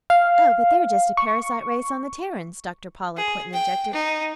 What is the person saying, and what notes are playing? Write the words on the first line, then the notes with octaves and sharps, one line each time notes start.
"Oh, but they're just a parasite-race on the Terrans," Dr. Paula Quinton objected.
F5
C#6
G#4
G5
D#4